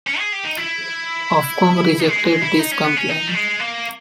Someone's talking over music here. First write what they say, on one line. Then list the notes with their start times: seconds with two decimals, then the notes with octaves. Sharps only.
Ofcom rejected this complaint.
0.07 C#4
0.19 G#4
0.32 G4
0.44 D#4
0.57 E4
2.08 G#3
2.25 G#3
2.42 E4
2.59 D#4
2.72 C#4
2.84 B3
2.97 C#4
3.10 D#4
3.28 G3
3.35 G#3
3.60 A#3